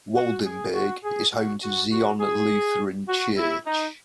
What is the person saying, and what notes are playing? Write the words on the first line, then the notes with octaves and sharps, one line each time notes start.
Waldenburg is home to Zion Lutheran Church.
F#4
G#4
F#4
G#4
F#4
F#4
F#4
G#4
F#4
E4
D#4